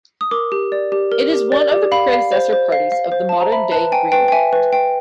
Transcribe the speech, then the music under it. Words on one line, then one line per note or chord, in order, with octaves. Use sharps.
It is one of the predecessor parties of the modern-day GreenLeft.
D#6
A#4 D6
G4
D5
G4
A#4
G4
D5
G4
F5 B5
F5
C5
C5
F5
F5
C5
C5 A5
A#5
E5 B5
B4 A5
G5 G#5
B4 G5
G5
E5 G#5
B4
G5